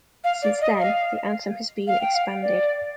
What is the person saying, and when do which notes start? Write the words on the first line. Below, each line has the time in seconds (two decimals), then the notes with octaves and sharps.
Since then, the anthem has been expanded.
0.24 F5
0.43 D5
0.61 D#5
0.79 F5
1.87 F5
2.01 G5
2.15 F5
2.42 D5